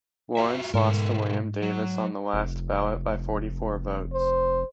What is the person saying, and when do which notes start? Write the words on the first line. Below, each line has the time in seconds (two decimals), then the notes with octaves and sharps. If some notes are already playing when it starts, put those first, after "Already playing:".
Lawrence lost to William Davis on the last ballot, by forty-four votes.
0.37 F4 F#4 E5
0.74 G#2 B2 A4 A#4
1.62 F#3
2.34 F1
4.13 C5